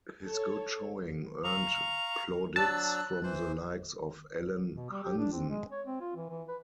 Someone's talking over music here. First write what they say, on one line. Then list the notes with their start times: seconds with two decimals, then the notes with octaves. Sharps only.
His good showing earned plaudits from the likes of Alan Hansen.
0.24 A4 C#5
1.44 F5 A#5 C#6 F7
2.56 F#3 D4 A5 E6 F#6
3.23 E3 C5
4.76 B2
4.91 G3
5.03 G4
5.18 D4
5.32 C4
5.49 G#3
5.72 C#5
5.86 C4
6.01 F4
6.16 E3
6.29 E3
6.48 B4